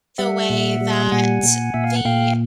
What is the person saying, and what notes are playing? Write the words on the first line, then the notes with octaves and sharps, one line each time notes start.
the way that the
G3 E5 F#5
A#2
G3
A#2 F#5 G#5
A#2
A#2 E5
F5
F#5
A#2 F5 G5